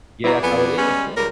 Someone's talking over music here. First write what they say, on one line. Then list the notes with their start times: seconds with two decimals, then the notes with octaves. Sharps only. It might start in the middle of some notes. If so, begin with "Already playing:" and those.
Yeah, that's how it is. Yeah.
0.24 B2 E3 E4 F#4 G#4 A#4 D5
0.43 F2 B3 G#5
0.78 G3 G#3 C#4
1.17 C#2 G3 A#4